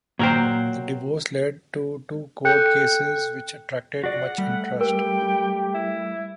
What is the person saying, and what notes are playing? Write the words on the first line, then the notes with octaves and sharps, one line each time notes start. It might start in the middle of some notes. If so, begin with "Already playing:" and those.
The divorce led to two court cases which attracted much interest.
A#2 F#3 A#4 C5 G5
A4 G5 F#6 G6 C#7
F#4 G#4 D5 F#5
G3 A3
G4 A#4 G5
E4